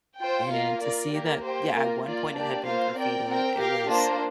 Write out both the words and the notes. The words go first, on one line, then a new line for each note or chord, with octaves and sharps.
and to see that Yeah, at one point, it had been graffitied, it was
F4 C5 G5
A#3 F4 A#4 F5
F4 A#4 D5
A#3 G4 A#4
A#3 G4 C5 G5
A#3 F4 A#4
A#3 F4 D5
A#3 D4 G4 D5
A#3 F4 C5 F5
C4 A#4 D5 G5
C4 A#4 G5
G4 A#4 F5
A#3 D4 F4 C5